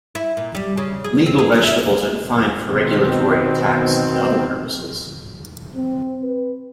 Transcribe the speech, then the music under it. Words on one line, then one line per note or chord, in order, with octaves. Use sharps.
Legal vegetables are defined for regulatory, tax and other purposes.
E4
A#2
G3
C#3
G#4
C4
G#4
E5
B2 D#3 C4
C4
B4